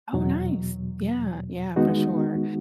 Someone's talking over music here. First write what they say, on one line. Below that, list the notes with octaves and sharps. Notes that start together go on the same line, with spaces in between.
Oh, nice. Yeah, yeah, for sure.
E2 B2 F#3
D#3 G#3 B3 D#4 F#4